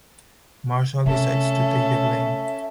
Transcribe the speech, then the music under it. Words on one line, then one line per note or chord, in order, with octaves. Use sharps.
Marshall decides to take the blame.
C3 A3 C#4 A4 E5